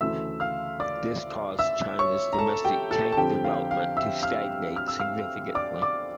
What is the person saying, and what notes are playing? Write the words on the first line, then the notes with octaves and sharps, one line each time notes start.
This caused China's domestic tank development to stagnate significantly.
D2 C#3 E3 A3 E5 E6
F5 F6
D5 D6
E5 E6
C#5 C#6
A#5
A4 A5
G4 G5
A4 A5
A5
F2 D3 F3 G4 G5
F5
F5
E5 E6
F5 F6
F6
E6
F5 F6
D5 D6
D5 D6